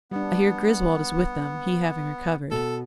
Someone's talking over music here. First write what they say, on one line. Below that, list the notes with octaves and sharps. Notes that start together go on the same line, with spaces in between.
I hear Griswold is with them, he having recovered.
G3 B3 D4
B2 A4